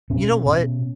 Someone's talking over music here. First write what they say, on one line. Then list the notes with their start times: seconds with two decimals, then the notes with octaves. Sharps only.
"You know what?
0.10 B2 C#4
0.46 B2